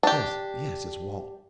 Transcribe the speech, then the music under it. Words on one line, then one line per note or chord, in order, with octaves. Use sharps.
Yes, yes, it's Walt.
D4 G4